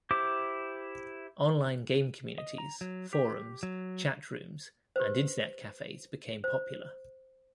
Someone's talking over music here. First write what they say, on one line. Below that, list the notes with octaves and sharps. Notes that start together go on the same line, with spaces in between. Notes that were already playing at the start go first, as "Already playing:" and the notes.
Online game communities, forums, chat rooms and Internet cafes became popular.
E4 G4 C5 D6
D#5
A#5
F#3
G4
F#3
G4 B4 C5
C5